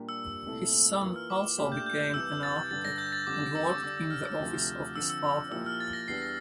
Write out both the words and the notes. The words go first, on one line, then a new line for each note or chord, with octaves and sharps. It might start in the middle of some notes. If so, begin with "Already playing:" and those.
His son also became an architect and worked in the office of his father.
Already playing: A#2 G3 D4 G4 A#4
E6
C2 A#2 A3 E4 A4
E3 A#3 F4 E6
F6
D6
A#2 A3 D4 G4
G6
G6
G6
C2 C3 E3 E6
A6
G2 D3 G3 A6
A#6
G6
A6
F2 D3 G3 D6
E6
E6
D3 G3 D4 D6
E6
F6
E6
D2 C3 F3 A3
D3 F3 C4 E6
E6
A#2 F3 A#3 E4 G4 E6
F6
A6
A#6
E2 E3 G3 D4 C7
A#6